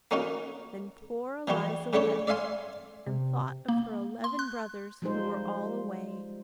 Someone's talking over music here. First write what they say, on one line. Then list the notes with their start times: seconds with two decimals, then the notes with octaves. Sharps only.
Then poor Eliza wept, and thought of her eleven brothers who were all away.
0.11 A#3 C#4 D#4 F4 F#4
1.48 E3 F3 G3 F#4 G4
1.93 C#3 G3 A3 D4 G4 C#5
2.27 D5 E5 F5 G#5 C6
3.07 C3
3.68 A#3
4.24 C6
4.39 F#6
5.02 F3 G3 G#3 D#4 C5